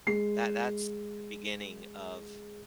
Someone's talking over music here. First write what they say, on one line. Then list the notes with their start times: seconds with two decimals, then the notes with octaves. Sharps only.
that that's the beginning of
0.07 G#3 C7